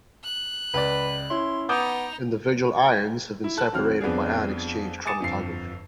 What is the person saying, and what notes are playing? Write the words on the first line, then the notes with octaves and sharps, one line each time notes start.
Individual ions have been separated by ion exchange chromatography.
F#6
C#2 B4 D5
C#4 E4 C6
B3 D#4 D6 D#6 G6 F7
E4
A4 A5 F#6
D#2 F#3 C4 F6
F2 B3 D4 G#4
G#5 D6 D#6 A6 C#7 E7
G1 F2 C7